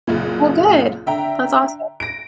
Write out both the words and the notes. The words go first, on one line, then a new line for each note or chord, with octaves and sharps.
Oh, good, that's awesome.
F#1 C2 A#2
D3 E5 G5 A#5
A#6 D7